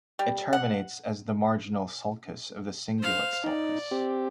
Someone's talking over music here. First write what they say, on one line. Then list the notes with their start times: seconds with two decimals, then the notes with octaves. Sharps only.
It terminates as the marginal sulcus of the cingulate sulcus.
0.19 G3
0.53 F#5
2.99 C5 F5
3.44 D#4 D5
3.91 C4 G4